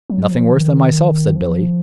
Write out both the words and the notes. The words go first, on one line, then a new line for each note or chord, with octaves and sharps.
"Nothing worse than myself," said Billy.
F#3
F3
D#3
F3